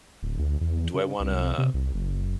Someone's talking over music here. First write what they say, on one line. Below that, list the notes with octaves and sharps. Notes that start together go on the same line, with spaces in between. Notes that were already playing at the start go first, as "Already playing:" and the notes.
"Do I wanna
D1
D2
E2
C#3
C2
C3
C2
F#1